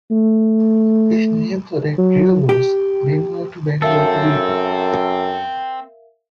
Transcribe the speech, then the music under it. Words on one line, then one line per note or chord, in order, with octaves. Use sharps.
His name for that trio was "Bingo to Bango to Bilko".
A3
F#3
G4
F#2 C4 A4 A#4 E5 F5